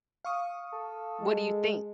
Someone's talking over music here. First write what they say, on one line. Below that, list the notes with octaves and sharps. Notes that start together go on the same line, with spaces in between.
What do you think?
F5 C#6 D#6
A4
G#3